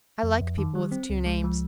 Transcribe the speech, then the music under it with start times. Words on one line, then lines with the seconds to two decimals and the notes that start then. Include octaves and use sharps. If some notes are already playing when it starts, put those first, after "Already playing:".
I like people with two names.
0.23 F2
0.41 F2
0.58 D#3
0.75 G3
0.92 C4
1.10 C#2
1.26 G#3
1.44 F3